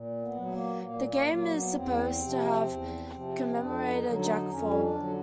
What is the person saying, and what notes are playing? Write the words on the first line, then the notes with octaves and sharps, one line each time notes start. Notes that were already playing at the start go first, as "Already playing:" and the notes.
The game is supposed to have commemorated Jack Foll.
Already playing: A#2
B3
F#3
A3
A#3
A#2 A#3
A#3
F#3 A#3
B3
E2 C4
C3 F3
E2
C3 F3
F2 D4
D#4
D3 F#3
D#4
F2 C#4
D4
D3 F#3